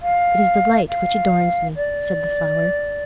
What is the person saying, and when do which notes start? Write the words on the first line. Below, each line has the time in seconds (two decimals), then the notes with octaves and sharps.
"It is the light which adorns me," said the flower.
0.02 F5
0.89 F5
1.76 D5